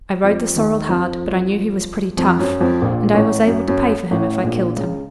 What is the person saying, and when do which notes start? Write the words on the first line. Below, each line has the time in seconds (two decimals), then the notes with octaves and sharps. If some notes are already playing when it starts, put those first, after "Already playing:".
I rode the sorrel hard, but I knew he was pretty tough, and I was able to pay for him if I killed him.
0.24 F2 F3
0.56 D#2 D#3
0.89 F2 F3
2.17 F2 F3
2.39 F#2 F#3
2.61 F2 F3
2.82 A#1 A#2
3.14 A1 A2
3.47 F#2
3.68 F#2
4.11 A1 A2
4.44 A#1 A#2
4.76 C#2 C#3